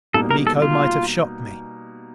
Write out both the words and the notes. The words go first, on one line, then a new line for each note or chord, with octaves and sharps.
Or Miko might have shot me.
B2 G3 A#3 D#4 A4
A#4
A4
F4